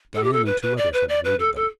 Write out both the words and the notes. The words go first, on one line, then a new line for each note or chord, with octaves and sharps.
Dian and two others had eluded them.
A4
G4
A4
B4
B4
D5
B4
D5
B4
A4
A4